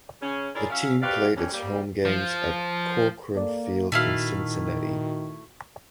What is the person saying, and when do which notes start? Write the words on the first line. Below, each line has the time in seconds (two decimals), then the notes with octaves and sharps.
The team played its home games at Corcoran Field in Cincinnati.
0.21 C#3 C#4
0.54 E4 F4 G#4 A#4 C#5 D5
0.70 F#3 C#4 E5 F5
1.02 C3 F#4 G4 B4 D5 F5
1.36 F2 G3 C#4
1.53 G3 A#3
2.05 F3
3.35 A#3 A4 D5
3.92 A#2 D#3 A3 E4 F#4 F5